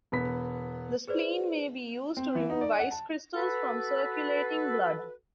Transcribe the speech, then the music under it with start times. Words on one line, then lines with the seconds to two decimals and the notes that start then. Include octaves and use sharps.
The spleen may be used to remove ice crystals from circulating blood.
0.12 E1 B3 B6
1.07 G#4 B4 C5 D5
2.17 C4
2.35 E3
2.50 D#4
2.61 D5
2.79 F#5
2.91 A5
3.35 F#4 A4 B4